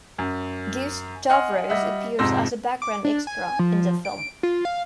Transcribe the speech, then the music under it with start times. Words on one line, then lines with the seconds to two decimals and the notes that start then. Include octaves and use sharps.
Gus Stavros appears as a background extra in the film.
0.18 F#2
1.30 D#5 F#5 G#5 C6 F6
1.69 G3 D#5 E5 F#5
2.19 F2 G#2 C3 C6 E6 A#6
2.82 D6
3.05 D4
3.27 G#5
3.59 F3
4.05 D7
4.43 F4
4.65 F5